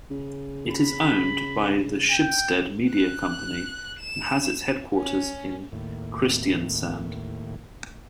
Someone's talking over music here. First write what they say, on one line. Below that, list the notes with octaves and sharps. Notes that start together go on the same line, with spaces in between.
It is owned by the Schibsted media company and has its headquarters in Kristiansand.
C#3
B5
G5
F#6
E7
C#4
D#2 A2